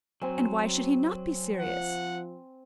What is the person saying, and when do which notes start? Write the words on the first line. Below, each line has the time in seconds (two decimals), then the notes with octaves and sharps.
"And why should he not be serious?"
0.22 F#3 C4 G#5
1.59 F3 F#5